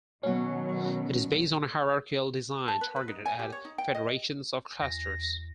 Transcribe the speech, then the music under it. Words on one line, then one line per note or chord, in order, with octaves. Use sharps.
It is based on a hierarchical design targeted at federations of clusters.
B2 D#3 F#3 C#4 F#4
A5
B4
B4
D#4
G#5
G4
C#5
D#4
G5
D#5
E2 A#6